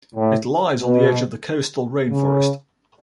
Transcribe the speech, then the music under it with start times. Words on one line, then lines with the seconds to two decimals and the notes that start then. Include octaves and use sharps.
It lies on the edge of the coastal rainforest.
0.15 A2
0.80 B2
2.10 C#3